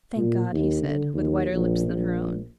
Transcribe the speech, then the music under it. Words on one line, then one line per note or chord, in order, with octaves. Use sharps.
"Thank God," he said, with whiter lips than her own.
A#2
D#2
D3
D#2
A#1
A#1